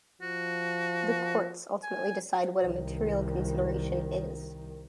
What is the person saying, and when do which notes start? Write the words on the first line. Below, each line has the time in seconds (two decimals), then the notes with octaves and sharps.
The courts ultimately decide what a material consideration is.
0.22 F3 F#4
1.83 G#5
2.63 C2 D#3